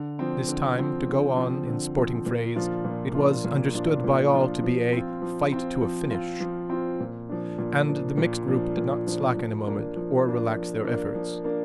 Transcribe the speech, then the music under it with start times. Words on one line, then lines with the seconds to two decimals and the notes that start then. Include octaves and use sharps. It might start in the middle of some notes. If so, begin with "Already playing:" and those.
This time, to go on in sporting phrase, it was understood by all to be a 'fight to a finish,' and the mixed group did not slacken a moment or relax their efforts.
Already playing: D3
0.19 F3 C4
0.48 D3
0.78 F3 C4
1.07 D3
1.37 F3 C4
1.67 D3
1.97 F3 C4
2.26 A#2
2.56 F3 D4 F4
2.85 A#2
3.15 F3 D4 F4
3.44 A#2
3.74 F3 D4 F4
4.04 A#2
4.33 F3 D4 F4
4.63 F3
4.93 C4 F4
5.22 F3
5.52 C4 F4
5.82 F3
6.10 C4 F4
6.40 F3
6.70 C4 F4
7.00 A#2
7.29 F3 D4
7.58 A#2
7.89 F3 D4
8.18 A#2
8.48 F3 D4
8.77 A#2
9.07 F3 D4
9.37 F3
9.66 A#3 D4
9.96 F3
10.26 A#3 D4
10.55 F3
10.84 A#3 D4
11.15 F3
11.44 A#3 D4